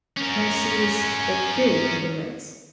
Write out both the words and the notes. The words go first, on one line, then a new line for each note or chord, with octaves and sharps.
Mercedes withdrew from the race.
C#4 A#4